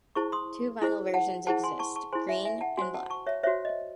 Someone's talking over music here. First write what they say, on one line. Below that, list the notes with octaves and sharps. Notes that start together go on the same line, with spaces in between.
Two vinyl versions exist - green and black.
E4 G#4 C5 A5 C#6
C6 D#6
E4 G#4 C5
F#5 A5
E4 G#4 C5 F#5 A5
G#5 C6
A5 C#6
A5 C#6
E4 G#4 C5 G#5 C6
E5 G#5
E5 G#5
F#5 A5
F#4 C5 G#5 C6
F#5 A5
A5 C#6
C#5 E5
F#4 C5 C#5 E5
D#5